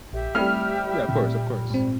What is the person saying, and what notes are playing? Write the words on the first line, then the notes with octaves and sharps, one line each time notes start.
Yeah, of course, of course.
A#1 G4 E5 G5
G3 A3 C4 E4 F6
A#2
G#2 C4